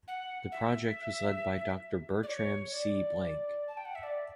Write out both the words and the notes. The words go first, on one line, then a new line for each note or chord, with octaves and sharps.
The project was led by Doctor Bertram C. Blanke.
F#5
E5
D5
C#5
D5
A5
G5
F#5
E5
D5